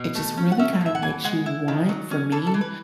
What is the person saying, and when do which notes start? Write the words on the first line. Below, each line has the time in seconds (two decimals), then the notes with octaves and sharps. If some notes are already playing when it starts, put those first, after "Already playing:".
it just really kinda makes you want, for me,
Already playing: B2
0.15 A3
0.37 C#4
0.52 F#5
0.59 C#4 E5
0.81 A2 E5
0.95 F#5
1.02 E3 G#5
1.24 G#3 F#5
1.46 E4
1.68 D#3
1.89 F#3
2.11 C#4
2.32 E3 A4
2.47 A4
2.54 E3
2.61 B4